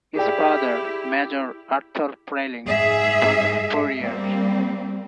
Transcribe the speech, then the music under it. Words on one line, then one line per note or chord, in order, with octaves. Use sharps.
His father, Major Arthur Frayling, was a furrier.
E4 G4 G#4 D5 G5
G#2 G#4 E5
G3 A#3 C4